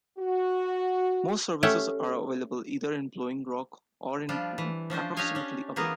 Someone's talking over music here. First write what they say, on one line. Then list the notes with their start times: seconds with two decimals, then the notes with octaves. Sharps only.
Most services are available either in Blowing Rock or in Boone, approximately away.
0.18 F#4
1.63 A3 C#4 G4 E5 F#5
4.29 F3 G3 D4 F4
4.58 E3
4.90 F3 C#4 D4 C5
5.17 D4 G4 C#5 D#5 F5 G#5
5.35 C#4 D4
5.76 E3 A#3 B3 G#4 A#4